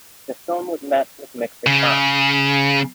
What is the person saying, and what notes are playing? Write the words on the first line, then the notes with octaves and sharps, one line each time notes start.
The film was met with mixed response.
C#3